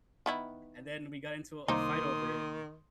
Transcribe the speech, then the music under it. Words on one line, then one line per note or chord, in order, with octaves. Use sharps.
and then we got into a a fight over it,
D#3 B3 E4
C2 D#3 A#3 D#4 C5 C6 D6 D#6